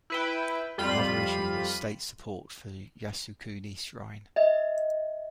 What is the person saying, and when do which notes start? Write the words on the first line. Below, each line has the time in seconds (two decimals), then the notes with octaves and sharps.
Another issue was state support for the Yasukuni Shrine.
0.10 E4 B4 G5
0.78 F2 G3 F4 B5 D#7
4.36 D#5 E5